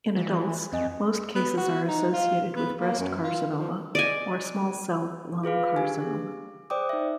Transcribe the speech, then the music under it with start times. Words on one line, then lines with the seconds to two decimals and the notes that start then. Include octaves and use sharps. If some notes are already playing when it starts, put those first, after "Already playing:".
In adults, most cases are associated with breast carcinoma or small-cell lung carcinoma.
0.16 E3
0.73 F2 C4 D#5 G#5
1.35 B3
1.57 F#4
1.88 D#4
2.13 F4
2.56 B3
2.79 A#3
2.98 F#2
3.23 F4
3.59 F3
3.95 D5 D#5 G#5
5.44 F4 G#4 B4 F5
5.76 D4 G4 G#5
6.00 G#4
6.70 C5 D5 G5 D6 D#6
6.89 D#4 E5